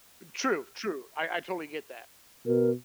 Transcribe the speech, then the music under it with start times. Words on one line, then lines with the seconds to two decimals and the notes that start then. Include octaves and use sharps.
True. True. I I totally get that.
2.46 B2 A#4